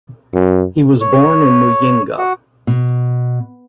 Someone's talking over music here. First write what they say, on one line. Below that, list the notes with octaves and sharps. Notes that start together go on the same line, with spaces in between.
He was born in Muyinga.
F#2
C#5
F#4
B2